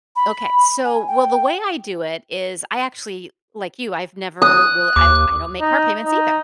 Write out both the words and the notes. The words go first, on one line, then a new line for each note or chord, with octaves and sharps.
Okay. So, well, the way I do it is I actually, like you, I've never real I'm I don't make car payments either
B5
G#5
G5
D#6 F#6
D#2 D6
D#4
D#4